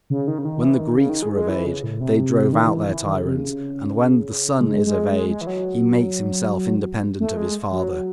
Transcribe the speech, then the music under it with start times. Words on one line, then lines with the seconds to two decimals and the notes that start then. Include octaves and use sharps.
When the Greeks were of age, they drove out their tyrants, and, when the son is of age, he makes himself independent of his father.
0.10 C#3
0.28 D#3
0.38 C#3
0.45 D#3
0.62 E3
0.79 D#3
0.97 C#3
1.09 D#3
1.22 G#3
1.35 G#3
1.49 E3
1.66 C#3
1.83 A2
2.00 C3
2.53 D#3
2.70 E3
2.88 E3
3.05 D#3
3.15 C#3
3.25 C3
3.36 C#3
4.61 G#3
4.87 G#3
5.12 G#3
5.30 G#3
5.41 E3
5.47 F#3
7.20 A3
7.37 G#3
7.72 F#3